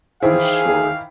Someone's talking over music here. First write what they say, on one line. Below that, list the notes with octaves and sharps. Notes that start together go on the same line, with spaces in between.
For sure.
D#3 E3 E4 G#4 C5 F5